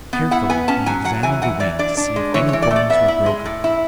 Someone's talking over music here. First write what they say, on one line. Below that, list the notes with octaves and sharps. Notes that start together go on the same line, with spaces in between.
Carefully he examined the wing to see if any bones were broken.
B3
E4 F#5
B3 G#5
C#4 A5
F#3 G#5
F#3 F#5
E3 G#5
E3 F#5
E3 D5
D4 D5
D4
G#3
E3 C#5
C#5
E3
D5
A3
D5
B3 E5
E4
G#3
A2
E4